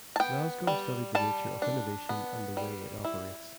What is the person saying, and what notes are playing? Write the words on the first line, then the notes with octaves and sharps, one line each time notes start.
Glasgow studied the nature of innovation and the way it operates.
A5
B3 G5
G3
G3 A5
D4
B3
G3
E4